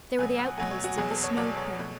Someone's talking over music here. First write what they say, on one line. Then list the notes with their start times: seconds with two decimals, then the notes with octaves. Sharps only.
They were the outposts of the Snow Queen.
0.19 B2 F#3 A3 G#5
0.38 F#5
0.58 B2 F#3 A3 G#5
0.71 C#5
0.84 F#4
0.98 E2 B2 F#3 G#4
1.11 A4
1.23 C#5
1.37 E2 B2 F#3 D5
1.57 C#5
1.79 B2 A3